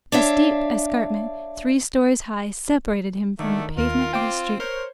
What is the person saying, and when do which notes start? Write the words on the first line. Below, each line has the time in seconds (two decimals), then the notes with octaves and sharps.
A steep escarpment three stories high separated him from the pavement of the street.
0.12 D4 C#5 E5 F5
3.39 D3 D#3 A3
3.77 D#2 F4 A#4
4.13 C4 G5 D6
4.60 A#4 C5 C#5